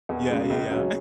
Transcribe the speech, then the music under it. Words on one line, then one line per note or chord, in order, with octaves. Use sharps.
Yeah, yeah,
E2
C#3 G#3
C#2
C#3 F#3 C#4